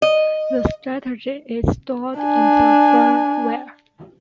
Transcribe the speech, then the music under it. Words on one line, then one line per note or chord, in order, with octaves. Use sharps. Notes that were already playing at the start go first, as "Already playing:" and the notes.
The strategy is stored in the firmware.
D#5
D4 G#5